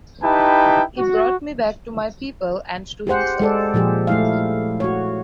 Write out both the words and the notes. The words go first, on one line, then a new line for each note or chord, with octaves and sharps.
He brought me back to my people and to himself.
D#4 E4 G4 B4 G5 A5
F#4
G4 G#4 C5 F#5
G#3 A4 D5
A#2 F3 G4 G#4
A3 E4 F5
F#4 C#5